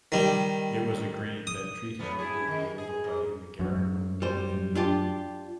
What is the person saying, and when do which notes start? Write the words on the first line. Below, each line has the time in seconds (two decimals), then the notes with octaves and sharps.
It was agreed that Treaty would be able to play in the Garryowen venue.
0.12 D#3 G3
1.47 D#6
1.99 F#3 A3 B3
2.19 E4 G#4
2.33 E4
2.47 D#3
2.78 G#4
3.04 G#2
3.59 F#2 F#3
4.22 G3 C5
4.75 D4 F4 G4